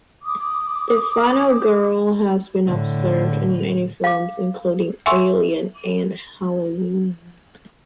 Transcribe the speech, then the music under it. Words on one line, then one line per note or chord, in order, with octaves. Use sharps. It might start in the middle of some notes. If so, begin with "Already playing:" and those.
The final girl has been observed in many films including "Alien" and "Halloween".
D6 D#6
A2 D3
F5 D6
E5 F#5 G#5 C6 C#6 E6